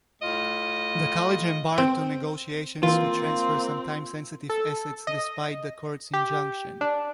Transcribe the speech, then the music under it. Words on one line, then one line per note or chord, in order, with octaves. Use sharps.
The college embarked on negotiations to transfer some time-sensitive assets despite the court's injunction.
A2 F4 D#5
C4
E3 A#3 C4 F4
A4
D#5
G4
D4